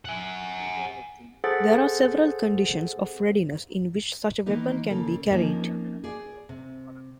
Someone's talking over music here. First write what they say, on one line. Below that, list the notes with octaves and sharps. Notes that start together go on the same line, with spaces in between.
There are several conditions of readiness in which such a weapon can be carried.
F#5 G#5
G#4 A4 C5 F#5 A6
D#3 E3 A#3 B3 D#4
C#3 A#3 A4
F3 A#3 C4 C#4 D#4
G#4 D5
C3